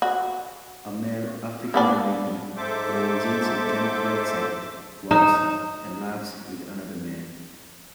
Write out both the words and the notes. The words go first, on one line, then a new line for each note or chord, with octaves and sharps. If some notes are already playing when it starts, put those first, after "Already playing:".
A male AfricanAmerican wearing jeans and a camouflage jacket, walks and laughs with another man.
F#4
A#3 B3 D4
G#2 A4 C5 E5 D6
D#4 C#5 A#5